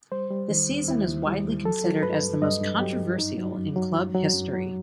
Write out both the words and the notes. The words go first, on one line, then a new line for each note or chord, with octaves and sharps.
The season is widely considered as the most controversial in club history.
G3 C5
G3
D#3
D#2
D#2 E4
D#2
G3
D#2
F#3 A4
F#3
G2 B4
G2
G2 D#5
G2
F#3 G4
G2
F#2 D#4
F#3
F#2
F#3
F#2
F#3
F#2
F#3